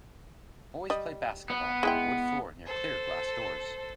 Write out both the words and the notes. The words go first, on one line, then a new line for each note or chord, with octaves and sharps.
Boys play basketball on a wood floor near clear glass doors.
G3 D#5
B3
G#3 E4 G5
A4 C5